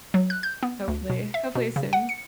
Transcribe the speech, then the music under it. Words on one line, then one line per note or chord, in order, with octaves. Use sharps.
hopefully, hopefully soon.
F#3
F#6
G6
B3
D2
B2
E5
B2
C#3
F#5
C#7